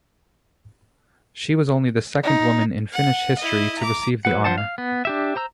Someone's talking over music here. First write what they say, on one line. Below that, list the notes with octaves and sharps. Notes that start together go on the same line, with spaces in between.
She was only the second woman in Finnish history to receive the honour.
D#4
F#5
E4 D#5
A#5 D6
F#3 B4 F#5
F3 A#3 C5 F#5 A5
F5
B3
D4 G4 E5
C5 A#5 E6